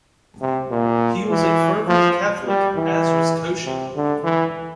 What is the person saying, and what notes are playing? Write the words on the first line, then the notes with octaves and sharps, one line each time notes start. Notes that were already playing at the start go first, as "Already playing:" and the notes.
He was a fervent Catholic, as also was Cauchy.
C3
A#2
E3
F3
G3
E3
C3
D3
E3